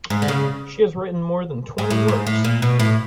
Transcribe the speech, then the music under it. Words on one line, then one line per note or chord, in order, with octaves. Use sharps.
She has written more than twenty works.
G#2
D3
C#3
G#2
A2
G#2
A2
A#2
B2
A2